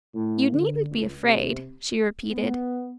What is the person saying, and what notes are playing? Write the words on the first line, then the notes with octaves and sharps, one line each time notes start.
"You needn't be afraid," she repeated.
A2
D3
C#2
C3
B3